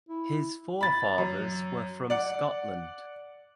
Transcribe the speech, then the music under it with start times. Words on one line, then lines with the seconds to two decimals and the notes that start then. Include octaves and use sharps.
His forefathers were from Scotland.
0.09 E4
0.81 B5 A6
1.18 F#2
2.10 D5 F#5